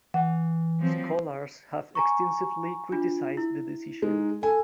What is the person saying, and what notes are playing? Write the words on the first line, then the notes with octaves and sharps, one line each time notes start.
Scholars have extensively criticized the decision.
E3 F#5
F3 F#3 C4
G#5 A#5 C#6
D4 F4
E4
G#3 D#4
A4 G#5